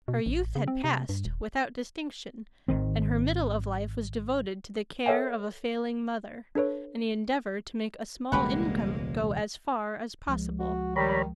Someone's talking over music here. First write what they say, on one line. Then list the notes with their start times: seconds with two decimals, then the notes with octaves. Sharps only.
Her youth had passed without distinction, and her middle of life was devoted to the care of a failing mother, and the endeavour to make a small income go as far as possible.
0.08 B2
0.26 A1
0.55 C#3
0.68 C4
0.84 C3
1.09 G2
1.25 D#1
2.68 G#1 D#3 C4
5.06 A4 A#4 C#5 E5 G5 G#5
6.55 D4 A4 B4 C#5
8.32 E1 C#2 G3 G#3 A#3 G4 B4 F#5
10.27 C#2 F3 G#3
10.60 F#4
10.96 D#3 G3 C#5 A#5 B5